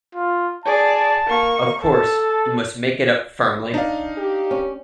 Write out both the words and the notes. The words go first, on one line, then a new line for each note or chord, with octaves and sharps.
Of course, you must make it up firmly.
F4
G#4 D5 A5
A#3 C#6
A4 A5
D4 D#4 F5
G4
C#4